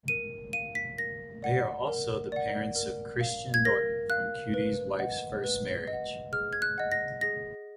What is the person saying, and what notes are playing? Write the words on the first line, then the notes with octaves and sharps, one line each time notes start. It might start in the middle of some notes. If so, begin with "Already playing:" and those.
They are also the parents of Christian Norton from Cutie's wife's first marriage.
A#4 D#7
F5 D#7
B6
A#4 A#6
D5 F#5
A#4
D5 F#5
A#4
F5
G#6
A#4 A#6
F5 F#6
B4
D#5 F#5
B4
D#5
F#5
G#4 F6
G#6
F#6
D#5 F#5
A#6
G#4 A#6